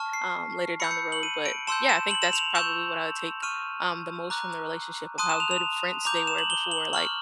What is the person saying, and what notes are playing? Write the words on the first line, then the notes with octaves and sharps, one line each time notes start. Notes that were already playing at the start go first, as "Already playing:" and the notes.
um, later down the road, but, yeah, I think that's probably what I would take, um, the most from the relationship, of how good of friends they were before, like,
Already playing: A5 C#6 F6
C7
B5 E6 G6 C#7
C#7
F#7
D#7
D7
A5 C6 E6 G6 E7
E7
F#7
E7
F7
C#6 E6 G6 E7
C#6 F6 D#7
A#5 D6 F#6
A5 C6 D#6 F#6 D#7
E7
F7
F7
A#5 D6 G6 F7
F7
E7
F#7
G7
F#7
C#6 F6 F#7